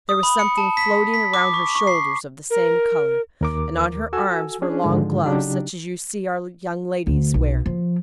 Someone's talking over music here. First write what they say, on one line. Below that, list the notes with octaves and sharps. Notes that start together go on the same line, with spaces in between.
There was something floating round her shoulders of the same colour, and on her arms were long gloves such as you see our young ladies wear.
D#6
B5
C#7
A5
B6
B6
D6
C#6
C#6
C7
A#4
D#2 A#4 D6
F#4 A4 G#5 E6
C#4 D4 G#4
G#2 D3 D#3 F3 G#3
C#3 F#3 D4 D#4 G4
D2
B1
F3